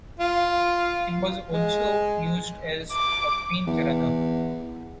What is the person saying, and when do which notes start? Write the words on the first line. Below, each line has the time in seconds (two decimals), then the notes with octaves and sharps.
He was also used as a pinch-runner.
0.19 F4
1.53 G#3
2.92 D6
3.67 E2